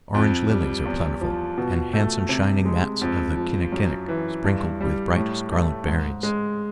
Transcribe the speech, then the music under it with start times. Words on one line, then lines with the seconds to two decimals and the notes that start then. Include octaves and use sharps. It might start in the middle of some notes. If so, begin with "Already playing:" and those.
Orange lilies are plentiful, and handsome shining mats of the kinnikinic, sprinkled with bright scarlet berries.
0.14 F2
0.50 G3
0.86 E2
1.21 F3
1.58 B2
1.93 A3
2.29 C3
2.65 G#3
3.01 F2
3.37 F3
3.72 F#2
4.08 E3
4.44 G2
4.81 G3
5.16 A2
5.52 A3
5.87 G#2
6.23 G#3